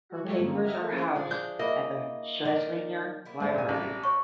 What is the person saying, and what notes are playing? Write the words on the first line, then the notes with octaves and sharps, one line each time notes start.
Her papers are housed at the Schlesinger Library.
F#4
F#3 G#3 A3 G4 A4 C#5
G2 D3 D#3 A#3 C4 C#4
D#5 E5 F#5 G5 A#5 F6
A3 E4 A4 A#4
F#3 A#3 C#4 G#4 C5 E5
F3 G#4 D5
D4 G#4 G6
A#3 E4 D#5
D#3 D5
A#3 B3 E4
G#2 A3 C5 D5
A#1 G#5
A1 G3
A4 C5 C#5 C#6